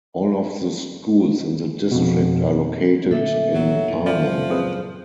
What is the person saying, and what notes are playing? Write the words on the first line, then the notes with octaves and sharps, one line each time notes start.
All of the schools in the district are located in Armonk.
F2 B2
A#2 D3 A3 A4 E5
A#1 E3 F#3
F#2 A#2 E3
F3 D5
C4 G#4 B4